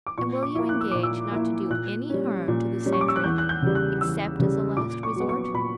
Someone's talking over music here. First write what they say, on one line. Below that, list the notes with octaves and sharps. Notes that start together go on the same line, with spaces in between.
"And will you engage not to do any harm to the sentry, except as a last resort?"
D6
A#2 C#6
D6
A#3 E4
F#6
E6
A#2 D6
E6
A#3 E4
A#2 F#6
G3 C#4
A#2
G3 C#4
C#6
D6
E6
F#6
E2 G6
F#6
G6
C#3 G3
F#6
E2 E6
C#3 G3
A#2 D6
C#6
F#3 B3
C#6
A#2 B5